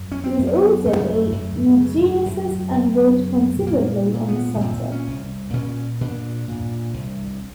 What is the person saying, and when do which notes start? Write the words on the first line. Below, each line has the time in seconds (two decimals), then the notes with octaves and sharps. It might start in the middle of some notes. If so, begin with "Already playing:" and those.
He was also a eugenicist and wrote considerably on the subject.
Already playing: F#2
0.12 C#4
0.24 C4
0.39 F#2
0.47 A#3
0.54 B3
0.85 C#3 A3
1.32 F#2
1.80 C#3
2.26 F#2
2.73 F#2
3.19 C#3
3.67 A#2 A#3
4.14 A#2
4.29 B3
4.55 B3
4.61 A#2 C4
4.92 C#4
5.08 C2
5.53 A#2 C#4
6.01 A#2 D4
6.48 A#2
6.94 C2